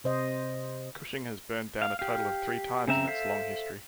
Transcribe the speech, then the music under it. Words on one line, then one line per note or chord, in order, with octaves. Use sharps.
Cushing has burned down a total of three times in its long history.
C3 C5 D#5
F5
G4 F5
C#3 C4 E5 A#5
A4 C5 E5 F5